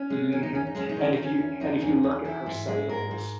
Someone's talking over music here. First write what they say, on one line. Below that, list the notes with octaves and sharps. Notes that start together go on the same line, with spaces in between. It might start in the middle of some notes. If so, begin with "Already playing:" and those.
Mhm, and, if you and if you look at her sales
Already playing: C#4
G#3
D#3 C#4
D#4
E2 C#4
D#4
G#3 C#4
D#4
D#3 C#4
D#3 D#4
C#4
E2
E2 D#4
E2
E2
E3 E4
G#2
G#3
G#2 A#4
G#2